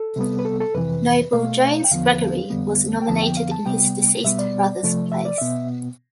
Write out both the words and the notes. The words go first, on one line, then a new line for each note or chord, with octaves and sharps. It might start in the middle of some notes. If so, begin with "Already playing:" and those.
Noble Jones Gregory was nominated in his deceased brother's place.
Already playing: A4
C3 G3 B3
B4
A4
A4
F2 C3 E3 B4
B2 A3 F5
G5
E2 D3 F3 B3 F5
F2 D3 G3 B3
G5
F2 D3 F3 B3 A5
G5
F5
A5
C3 G3 B3 G5
B2 G3 B3 E5
D5
C3 F3 A3
E5
D5
B2 B3 E5